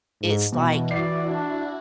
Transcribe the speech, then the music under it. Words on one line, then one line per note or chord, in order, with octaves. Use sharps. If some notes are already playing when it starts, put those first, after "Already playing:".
It's like
G#2
B2 E3 E4 F#4
D5 C7
D4